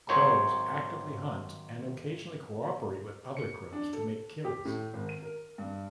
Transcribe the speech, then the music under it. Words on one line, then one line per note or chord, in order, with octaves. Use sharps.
Crows actively hunt and occasionally co-operate with other crows to make kills.
G#1 D#3 F#3 C5 C#5
C#7
D4
A4
G4
A2
G#1
D#7
A#4
G2